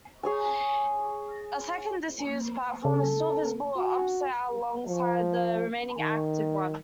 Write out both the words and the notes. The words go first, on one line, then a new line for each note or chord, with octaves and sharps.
A second disused platform is still visible opposite alongside the remaining active one.
G#4 C#5 G#5
C#3 A4
F#4
F3
D#3